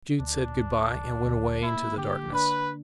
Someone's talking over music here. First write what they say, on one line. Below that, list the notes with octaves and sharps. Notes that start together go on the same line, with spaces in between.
Jude said good-bye, and went away into the darkness.
D2 D4
D2
D2
D2
A#3 E4
D3 G4
D4 B4